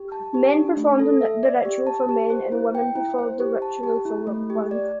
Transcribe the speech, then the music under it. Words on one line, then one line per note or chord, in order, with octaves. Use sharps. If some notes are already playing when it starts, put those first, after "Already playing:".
Men performed the ritual for men, and women performed the ritual for women.
Already playing: G4
A5
G4
D4
A3
A4
E5
D5
G4
A5
G4
C5
E4
G5
E4
C5
G4
A5
G4
E4
A3
G4
D5